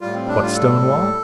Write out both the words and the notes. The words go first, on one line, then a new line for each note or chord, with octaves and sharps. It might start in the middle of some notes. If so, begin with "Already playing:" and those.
What stone wall?
A2 G3 F4
C4
D4
F4
A4